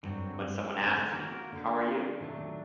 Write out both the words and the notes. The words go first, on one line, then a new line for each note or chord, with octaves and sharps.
When someone asked him, How are you?
G2 D3 F#3 C4 F#4
G2
G2
G2
C3
D3
D#3 A#3 F#4 A#4
D3
C3 D#3 F#3 A3 D4
A#2